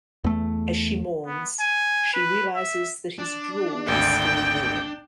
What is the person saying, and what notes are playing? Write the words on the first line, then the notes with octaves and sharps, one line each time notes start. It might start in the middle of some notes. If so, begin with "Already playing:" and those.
As she mourns, she realizes that his drool is still warm.
E2 A3
B3
G#5
B4
E5
D4
G#1 D2 G5